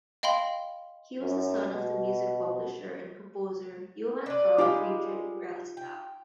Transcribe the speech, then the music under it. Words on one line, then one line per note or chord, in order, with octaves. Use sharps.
He was the son of the music publisher and composer Johann Carl Friedrich Rellstab.
D#5 F5 G5 B5 C6
F#2
B2
D4 B4
G3 G#3 D#4 F4 G4
G5